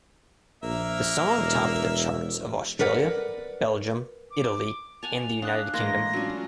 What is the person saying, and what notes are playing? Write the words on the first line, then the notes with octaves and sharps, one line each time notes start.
The song topped the charts of Australia, Belgium, Italy and the United Kingdom.
A#1 A#3 A#4 E5
E1
A#4 B4 D5 F#5
D6
F#5 G#5 A5 F7
D4 F5 D#6 F#6
A2 E3 G#3 A#3 D#4 F5 C6 A#6
F#3 C#4 D4 F4